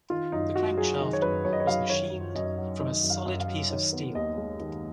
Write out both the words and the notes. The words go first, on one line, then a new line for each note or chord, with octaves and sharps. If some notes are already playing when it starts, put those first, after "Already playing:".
The crankshaft was machined from a solid piece of steel.
D#3 F4
F#2 D#4
F#2 F#4
F#3 G#4
D#3
C#5
F#2 B4
F#2 C#5
D#5
C#5
F#3 F5
D#3 C#5
F#2
F#2 D#5
F#3
D#3 D#5
F#2
F5
F#2
F5
F#3
D#3 C#5
B3
D#2 D#5
G#3
D#3